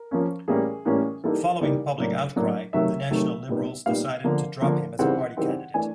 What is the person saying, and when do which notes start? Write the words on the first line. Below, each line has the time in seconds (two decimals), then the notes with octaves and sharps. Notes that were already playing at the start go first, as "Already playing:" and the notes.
Following public outcry, the National Liberals decided to drop him as party candidate.
Already playing: A#4
0.11 F3 A#3 C#4
0.48 A2 E3 G3 A#3 C#4 G#4
0.85 A2 E3 G3 A#3 C#4
1.24 E3 G3 A#3 D#4 A4
1.60 E3 G3 A#3 D#4 D5
1.98 A2 F#3 A#3 D4
2.36 A2 F#3 A#3 D4
2.73 C3 D#3 F#3 A3 E5
3.11 C3 D#3 F#3 A3
3.49 A#2 G3 B3 D#4
3.86 A#2 G3 B3 D#4 F5
4.24 D3 F3 A#3
4.62 D3 F3 A#3
4.99 C#3 E3 G3 C4 D#4 F#5
5.37 C#3 E3 G3 C4 D#4
5.74 E3 A3 D4 G#5